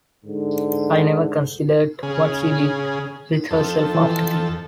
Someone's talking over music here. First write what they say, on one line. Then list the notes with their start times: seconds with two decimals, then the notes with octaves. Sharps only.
I never considered what she did with herself after tea.
0.24 G#2 D3
2.03 C#3 G#4
3.51 F2 A4
3.95 E3